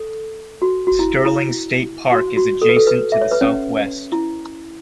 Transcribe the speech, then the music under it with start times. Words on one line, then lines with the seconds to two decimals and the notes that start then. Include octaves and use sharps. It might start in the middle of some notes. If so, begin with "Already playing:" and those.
Sterling State Park is adjacent to the southwest.
Already playing: A4
0.62 F#4
0.87 F#4
0.99 E4
1.25 E4
2.12 F#4
2.37 F#4
2.62 A4
2.69 B4
2.76 A4
2.87 B4
3.12 E5
3.21 C#5
3.31 B4
3.41 C#4 C#5
4.12 E4